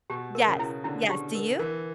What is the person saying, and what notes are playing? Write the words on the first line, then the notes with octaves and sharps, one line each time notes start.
Yes, yes, do you?
B2 G4
A#4
C#3
E4
D3 E4
G4
A#4
E3 A#4